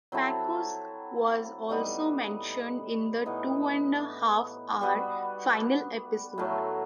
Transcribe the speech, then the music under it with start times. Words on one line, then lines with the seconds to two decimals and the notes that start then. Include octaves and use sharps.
Packo's was also mentioned in the two-and-a-half hour final episode.
0.12 F#3 C4 E4 A4
1.69 A2 G3 B3 D#4
3.26 A2 E3 B3 D#4
4.81 G3 B3 F#4
6.38 A2 F#3 A3